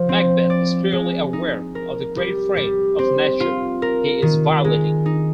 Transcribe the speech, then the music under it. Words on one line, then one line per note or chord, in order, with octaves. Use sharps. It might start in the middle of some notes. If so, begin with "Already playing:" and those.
Macbeth is clearly aware of the great frame of Nature he is violating.
Already playing: F3
C4
D5
G#3
D#4
A#4
G3
G3
C4
F4
A#4
D#3
G#3
D#4